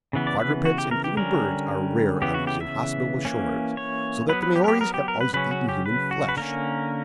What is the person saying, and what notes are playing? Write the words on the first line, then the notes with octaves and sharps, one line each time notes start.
Quadrupeds, and even birds, are rare on these inhospitable shores, so that the Maories have always eaten human flesh.
C#3 E3 B3
D5
B4
F#4
G4
A#4
G4
D3 G3 C#4 A#4
C#3 E3 B3 G4
F#4
G4
E5
E3 A#3 C#4
C#5
F#3 B3 B4
B4
G4
A#4
G4
A#4
G4
A#4
B4
C#3 F#3 C#4 B4
F#4
G4
B4
F#4
B4
D3 A#3 C#4 A#4